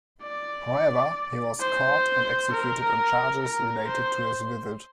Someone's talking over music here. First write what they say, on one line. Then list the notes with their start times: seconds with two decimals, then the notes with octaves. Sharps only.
However, he was caught and executed on charges related to his visit.
0.23 D5
1.60 C5
2.51 A#4
3.42 A#4
3.88 C5